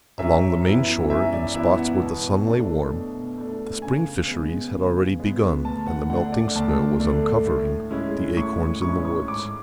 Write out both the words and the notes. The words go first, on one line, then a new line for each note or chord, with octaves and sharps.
Along the main shore, in spots where the sun lay warm, the spring fisheries had already begun, and the melting snow was uncovering the acorns in the woods.
F#2 E5
E3 B3 E4
F#2 E5
D5
E3 B3 E4 E5
F#5
B2
A3 D4
B2
A3 D4
C#3 G#5
G#3 B3
C#3
G#3 B3
D2 A5
F#5
D3 A3 D4 F#5
D5
D2 A5
D3 A3 D4
A2
G#3 C#4 E4
A2 C#6
G#3 C#4 E4 C#6
C#6
G#2 D6